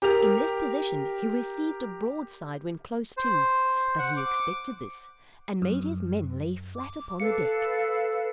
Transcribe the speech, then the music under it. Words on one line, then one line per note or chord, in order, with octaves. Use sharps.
In this position he received a broadside when close too; but he expected this, and made his men lay flat upon the deck.
G4 A#4 F7
C5
F#5
D6
F#2
D6
A4 B4 F5 C#7